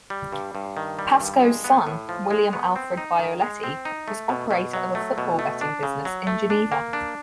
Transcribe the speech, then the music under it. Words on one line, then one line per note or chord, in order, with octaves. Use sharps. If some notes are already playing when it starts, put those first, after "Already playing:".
Pascoe's son, William Alfred Bioletti, was operator of a football betting business in Geneva.
G3
G2
G2
D#3
G3
G2
G#3
B3
A2
F3
G#3
B3
C4
D#4
D#3
G#3
C4
D#4
A3
B2
B2
F#3
A3
B2
A3
D4
C#3
F#3
A3
D4
A#3
D4